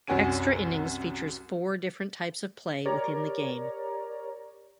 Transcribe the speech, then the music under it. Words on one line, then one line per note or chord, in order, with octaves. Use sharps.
Extra Innings features four different types of play within the game.
C2 F#2 F#4 C#5 G#5 D#7
G4 A#4 C#5 D5 A#5